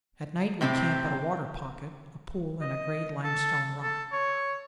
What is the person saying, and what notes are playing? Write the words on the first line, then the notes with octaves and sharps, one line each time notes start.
At night we camp at a water pocket, a pool in a great limestone rock.
A2 C3 C4 D#4 G4
D#5
A4
A4
C#5